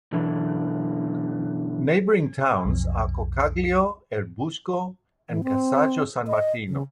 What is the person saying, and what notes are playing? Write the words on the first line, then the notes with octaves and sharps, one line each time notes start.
Neighbouring towns are Coccaglio, Erbusco and Cazzago San Martino.
F#2 B2 D3 E3
B1 F2
E3
C4
D#5
C#3